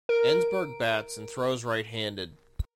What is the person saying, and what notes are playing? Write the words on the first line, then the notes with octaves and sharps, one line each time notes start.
Ensberg bats and throws right-handed.
A#4 D7